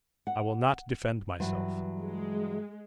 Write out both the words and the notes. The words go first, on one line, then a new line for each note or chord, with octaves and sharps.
I will not defend myself.
F#5
G2 E3 F#3
G#3